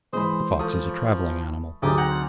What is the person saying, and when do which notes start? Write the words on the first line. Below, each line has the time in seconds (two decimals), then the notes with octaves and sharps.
The fox is a travelling animal.
0.13 E3 G#3 C5 D#5 B5
0.59 F3 A3 D#6
1.82 D2 F#3 D4 D#4 G4 G#4 D#6
1.98 C4 F#5 A#5